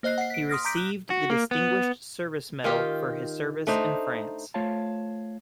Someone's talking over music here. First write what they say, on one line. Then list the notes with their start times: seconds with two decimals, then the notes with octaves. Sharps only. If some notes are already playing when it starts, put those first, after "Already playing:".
He received the Distinguished Service Medal for his service in France.
0.03 A#3 C5 D#5 F#6 C7
0.18 F#5 C7
0.30 B6 D7
0.49 C6 D#6 F6 A#6
0.65 A#5 D6 G6 B6 D7
0.77 F#6
1.10 F#4
1.30 A#3
1.51 B3
2.64 D#3 F4 G4
3.67 A3 D4 D#4 C5
4.54 A3 F4 C5 C#5 F5 A5